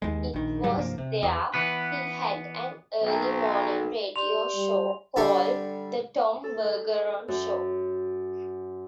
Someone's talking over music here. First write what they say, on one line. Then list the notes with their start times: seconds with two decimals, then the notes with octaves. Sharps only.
It was there he had an early-morning radio show called "The Tom Bergeron Show".
0.02 D#2 G#3
0.33 A#1 D#3
0.64 C2 G#2 F#3 G3
0.78 C2 G2 F3 A#3
0.98 C3
1.23 E2
1.54 E3 B3 B4
3.01 B1
4.16 G4 D5 C6 F7
4.56 G3
5.16 D3 G3 A4 C#6
6.44 A4
7.28 F#2